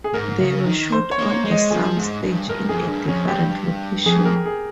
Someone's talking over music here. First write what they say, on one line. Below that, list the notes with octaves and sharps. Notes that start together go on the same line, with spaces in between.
They were shot on a sound stage in a different location.
G#4
G#2 A#4
C#3
D#3
C5
C#5
A#3
C#5
G#3
D#5
F3 G#4
G#2
G2
G2 A#4
F2 G#4
G2
F2 C#4
G2 G4
F2 G#4
A#4
G#4